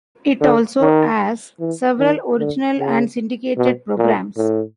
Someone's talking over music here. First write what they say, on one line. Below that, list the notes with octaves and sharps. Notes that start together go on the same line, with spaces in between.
It also airs several original and syndicated programs.
D3
D#3
E3
D#3
D3
C#3
B2
A#2
A2